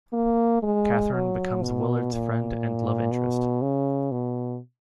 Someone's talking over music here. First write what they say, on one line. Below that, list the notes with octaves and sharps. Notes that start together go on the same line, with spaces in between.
Cathryn becomes Willard's friend and love interest.
A#3
G#3
F#3
B2
A#2
B2
C#3
B2